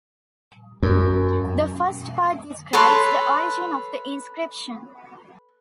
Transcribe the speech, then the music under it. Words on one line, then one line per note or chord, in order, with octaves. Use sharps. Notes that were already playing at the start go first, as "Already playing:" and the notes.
The first part describes the origin of the inscription.
F#2
A4 B4 C#5 C6